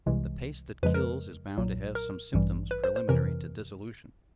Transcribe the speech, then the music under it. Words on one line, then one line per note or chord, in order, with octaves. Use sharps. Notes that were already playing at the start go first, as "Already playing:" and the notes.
The pace that kills is bound to have some symptoms preliminary to dissolution.
C2 C3 E3 G#3
F2 C#3 F3 G#3 B4
A#4
B1 A#2 F#3
A#4
A1 G2 E3 G3
B4
C5
C5
F2 C3 E3 A#4